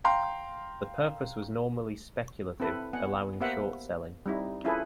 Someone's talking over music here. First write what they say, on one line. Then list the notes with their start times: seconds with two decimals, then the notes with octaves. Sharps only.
The purpose was normally speculative, allowing short selling.
0.04 F5 G5 A#5 C6
2.60 C4 E4 A4 B4
2.93 B3 F#5 G#5
3.40 A#3 B3 G4 C5 E5 F#5
4.26 G3 C4 D#4 E4
4.64 C#4 E4 F4 G#4 A4 B4